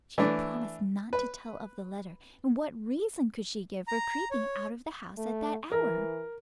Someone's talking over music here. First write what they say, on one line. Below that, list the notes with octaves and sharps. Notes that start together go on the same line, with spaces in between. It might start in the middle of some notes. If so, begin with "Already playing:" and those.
She had promised not to tell of the letter, and what reason could she give for creeping out of the house at that hour?
E3 A3 D4
B4
A#5
C#5
A3
E3 A#4